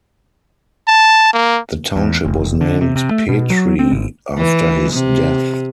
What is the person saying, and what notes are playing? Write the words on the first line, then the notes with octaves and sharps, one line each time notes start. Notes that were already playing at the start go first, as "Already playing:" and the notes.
The township was named Petrie after his death.
A5
A#3
E2
F1
D3
C3
C3
A3
B2
F#3
C4
G#1
E3
C3